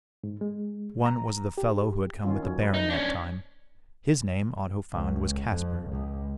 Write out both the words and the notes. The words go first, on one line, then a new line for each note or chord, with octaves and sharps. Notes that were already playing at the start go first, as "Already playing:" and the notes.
One was the fellow who had come with the Baron that time; his name, Otto found, was Casper.
G#2
G#3
A#5
G4
D#3 C#4 F4
F#3 C#4
A3 B4
D#4
C#4 D4
C#2
F2
C#2